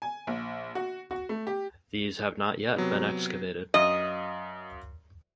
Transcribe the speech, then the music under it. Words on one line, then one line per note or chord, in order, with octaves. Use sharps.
These have not yet been excavated.
G#5
A#1
F#4
F#4
A3
G4
C3 F#3 B3
F#2 D#5 F5 D#6